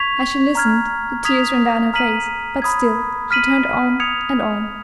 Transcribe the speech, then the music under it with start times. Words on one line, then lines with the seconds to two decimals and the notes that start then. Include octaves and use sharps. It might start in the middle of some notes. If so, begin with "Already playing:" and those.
As she listened, the tears ran down her face, but still she turned on and on.
Already playing: C#6 G#6 B6 F7
0.55 A#5 F6 G#6
1.25 D#6 G#6 B6 F7
1.94 A#5 F6 B6 D#7 F#7
2.62 B5 D#6 G#6
3.31 F6 B6 D#7 F#7
4.00 D#6 G#6 C#7 F7